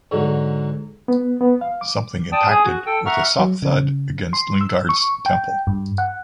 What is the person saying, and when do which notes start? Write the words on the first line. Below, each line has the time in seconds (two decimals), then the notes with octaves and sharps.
Something impacted with a soft thud against Lingard's temple.
0.11 G#2 D3 F#3
1.08 B3
1.41 B3
1.61 F5
1.81 D6
2.32 D5 G5 A5 D#6
2.49 G#4 G#5
2.65 F#4
2.86 A4 G5
3.06 E5 F#5 A#5 C#6 F6
3.39 F#3
3.62 C#3
4.33 C6
4.61 E6
4.89 C#6
5.26 G5
5.67 G2
5.98 F#5